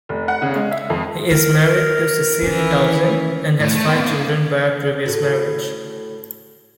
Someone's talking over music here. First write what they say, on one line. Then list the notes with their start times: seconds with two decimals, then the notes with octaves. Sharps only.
He is married to Cecile Tauzin and has five children by a previous marriage.
0.09 F1
0.28 F#5
0.42 C#3
0.56 G#3
0.71 E5
0.90 F2
1.31 E4 A#4
2.42 D#3 E3 C#4 E4
3.60 A2
3.75 A3
3.87 B3 G5
4.00 A3 A#3
5.06 A2 F#4 A4